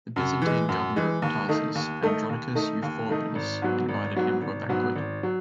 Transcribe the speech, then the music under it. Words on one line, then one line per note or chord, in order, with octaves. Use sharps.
The Byzantine governor of Tarsus, Andronicus Euphorbenus, invited him to a banquet.
F#2
E3 G#3
F#2
E3 G#3
D#2
D#3 A3 D#4
D#2
D#3 A3 D#4
D#2
D#3 A3 D#4
D#2
D#3 A3 D#4
G#1
G#2 F#3 B3
G#1
G#2 F#3 B3
G#1
G#2 F#3 B3
G#1
F#3